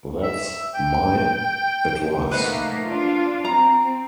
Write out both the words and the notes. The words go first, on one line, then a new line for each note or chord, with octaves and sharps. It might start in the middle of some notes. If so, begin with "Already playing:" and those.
That's "my" advice!
E5
G5
A3 A#3 D#4 B4 C5 F#5
D4 F4
C4 A#5